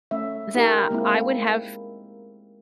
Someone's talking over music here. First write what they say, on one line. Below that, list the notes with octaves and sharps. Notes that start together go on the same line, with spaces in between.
that I would have
A3 C#4 E5
D#4 G4 A#4
G#3 A#3 C4 E4